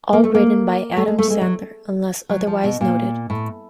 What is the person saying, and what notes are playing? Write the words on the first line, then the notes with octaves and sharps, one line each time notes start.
All written by Adam Sandler, unless otherwise noted.
A#3
A3
A#3
A3
G#3
A3
G#3
F#3
F#3
F3
B2
A#2
A2